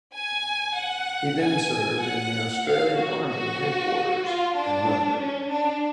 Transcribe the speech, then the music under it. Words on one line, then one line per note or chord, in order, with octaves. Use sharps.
He then served in the Australian army headquarters in London.
G#5
F#5
G#5
F#5
F5
F#4
F#4
F4
D4
C#4
D4